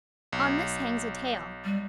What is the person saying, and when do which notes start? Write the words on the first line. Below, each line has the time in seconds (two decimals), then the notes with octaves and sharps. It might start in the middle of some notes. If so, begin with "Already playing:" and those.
On this hangs a tale.
0.33 B1
1.64 G3